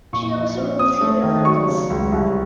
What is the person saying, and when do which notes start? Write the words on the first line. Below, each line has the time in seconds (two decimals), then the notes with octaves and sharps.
She also wrote serial novels.
0.13 A#2 C#6
0.35 F3
0.57 C4
0.79 C4 D#6
1.01 A3
1.23 D#3
1.45 F#3 C#6
1.67 C#3
1.90 C#2
2.12 C2